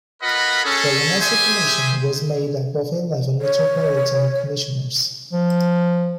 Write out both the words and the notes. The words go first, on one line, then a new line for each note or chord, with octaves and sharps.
The Lunacy Commission was made up of eleven Metropolitan Commissioners.
F4 A#4 B4 D#5 F#5 B5
C#4 G#4 A4
G4 G#4 C5 E5 G#5
C#5
F3